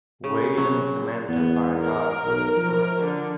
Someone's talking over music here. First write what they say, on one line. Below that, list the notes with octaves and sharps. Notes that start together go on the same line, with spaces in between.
Wade and Samantha find Og with Sorrento.
C#3
F#3
E2 B3
A#4
B1
F3
D3